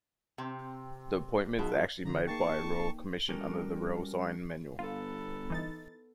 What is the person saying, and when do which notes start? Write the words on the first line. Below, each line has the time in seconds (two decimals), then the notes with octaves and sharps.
The appointment is actually made by a Royal Commission under the royal sign-manual.
0.38 C3 C4
1.59 B2 F3 F#3 D#4 G#4 E5
2.05 D3 F4 A#5
2.27 A#3 D#4 G#4 G5 A5 C#6 A6 C7
3.29 G3 C#4 F#4 G4 A4 A#4
4.79 G1 B3 F4 A4
5.50 E3 D#4 A6